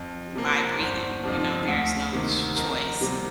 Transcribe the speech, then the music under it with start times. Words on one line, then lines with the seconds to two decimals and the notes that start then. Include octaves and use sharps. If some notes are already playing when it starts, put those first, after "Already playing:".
by breathing, you know? There's no ch choice
Already playing: F2
0.36 C3 F3 A#3
0.80 G1 C5
1.23 F2 C3 F3
1.68 D2
2.13 C3 D#3 A#3
2.57 F2 A#4
3.01 C3 G3 A#3